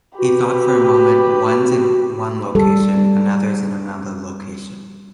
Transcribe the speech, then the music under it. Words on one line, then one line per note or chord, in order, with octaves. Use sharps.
He thought for a moment: 'One's in one location, another's in another location.
F#4 G4 B4
G3 A4